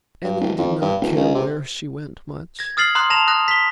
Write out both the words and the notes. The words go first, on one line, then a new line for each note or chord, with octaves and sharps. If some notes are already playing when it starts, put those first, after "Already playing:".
Emmy did not care where she went much.
G2
D1
F2
G2
D1
C#2
C3
G#6 A#6
D#6 F6 A6 C7 F#7
A#5 C6 D#6 F#6 F#7
A5 A#5 A#6 E7 F7
D#6 F#6 A#6
B6 G7